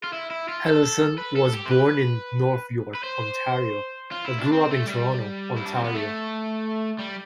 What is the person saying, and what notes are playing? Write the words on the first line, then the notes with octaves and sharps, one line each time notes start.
Allison was born in North York, Ontario, but grew up in Toronto, Ontario.
F4
E4
E4
F4
A4
B4
A4
G4
C5
B4
B4
C5
F4
E4
D4
C4
A3
G3
E4
D4
C4
B3
A3
G3